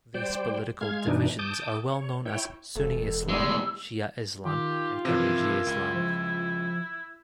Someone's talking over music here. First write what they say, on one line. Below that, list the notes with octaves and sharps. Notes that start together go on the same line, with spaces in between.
These political divisions are well known as Sunni Islam, Shia Islam and Khariji Islam.
G3 C5 D5 G5
G#3 F5 G#6
G2 B2 E3 D4 D#4
A5 D6 D#6 G6
C#5
E4 C#5 G5
E1 A4
E2 A2 G3 G#3 E6
D#3 F4 G4
C3 E3 F3 E4 A#4
C#2
F3